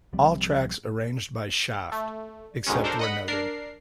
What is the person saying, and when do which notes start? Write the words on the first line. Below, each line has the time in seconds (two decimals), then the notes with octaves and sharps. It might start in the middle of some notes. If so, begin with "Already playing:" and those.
All tracks arranged by Schaft, except where noted.
0.13 C2 F3 G3 C4
1.92 A3
2.67 D2 G#2 B2 D#3 G#3 C#4
2.84 D4 A4 A#4 C5
2.99 D#5 F#5 B5
3.28 D4 A#4 C7